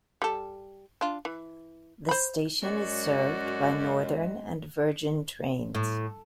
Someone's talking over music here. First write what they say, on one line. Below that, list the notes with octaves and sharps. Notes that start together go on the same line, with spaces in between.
The station is served by Northern and Virgin Trains.
G3 A4
D4 F4
E3
C5 B5
F#2 G#3 F#4 C#5 D5
A2